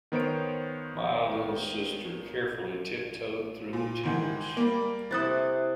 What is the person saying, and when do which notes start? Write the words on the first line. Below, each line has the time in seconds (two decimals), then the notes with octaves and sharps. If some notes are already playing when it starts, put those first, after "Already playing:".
My little sister carefully tiptoed through the tulips.
0.12 D#3 B3 C5 C#5 D7
3.73 A#2
4.03 G#2 D#3 E3
4.57 G3 A#3
5.11 C3 E4 A4 D#6 F#6 A6